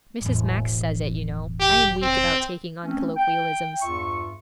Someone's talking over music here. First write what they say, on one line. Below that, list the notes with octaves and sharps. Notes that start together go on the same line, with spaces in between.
Mrs. Max says it, you know; I am weak about taking on colloquialisms.'
E1 A1
G4
C4
A3 C4 C#4
G5
E2 G2 F4 E5 C#6